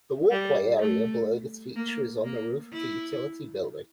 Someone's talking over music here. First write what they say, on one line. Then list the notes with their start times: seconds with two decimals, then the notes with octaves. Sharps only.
The walkway area below this feature is on the roof of a utility building.
0.31 G3
0.79 A3
1.76 A#3
2.24 A#3
2.73 E4